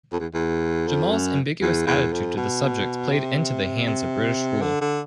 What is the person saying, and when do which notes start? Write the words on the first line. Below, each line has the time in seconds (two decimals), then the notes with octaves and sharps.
Jamal's ambiguous attitude to the subjects played into the hands of British rule.
0.12 F2
0.20 E2
0.34 E2
0.87 F2
1.12 F#2
1.62 E2
1.87 E2
2.13 F2
2.37 B2
3.12 C3
3.87 C3
4.62 D3
4.81 D3